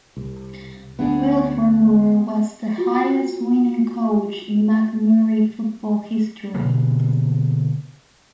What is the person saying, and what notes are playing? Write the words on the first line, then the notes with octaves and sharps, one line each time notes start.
Wilford Moore was the highest winning coach in McMurry football history.
C2
D2 B3 C4 D4 G#4 D5
F4 F#4
B2 D3 E3 A#3